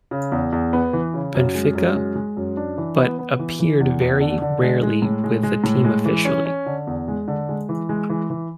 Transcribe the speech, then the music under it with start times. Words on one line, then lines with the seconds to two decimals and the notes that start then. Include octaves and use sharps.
Benfica, but appeared very rarely with the team officially.
0.11 C#3
0.32 E2
0.52 E2
0.73 B3
0.93 E3
1.14 C#3
1.35 F#2
1.55 G#3
1.75 F#2
1.96 G#3
2.16 G#3
2.37 F#2
2.57 D4
2.77 E3
2.98 B3
3.19 B3
3.39 E3
3.60 E3
3.80 E2
4.01 E2
4.20 D3
4.42 D3
4.62 G#3
4.83 G#3
5.02 A2
5.24 G#3
5.43 G#3
5.64 A2
5.85 G#3
6.05 E3
6.25 C#4
6.46 C#4
6.66 D3
6.87 E2
7.08 G#3
7.28 D3
7.49 G#3
7.69 E3
7.89 G#3
8.09 E3
8.30 E3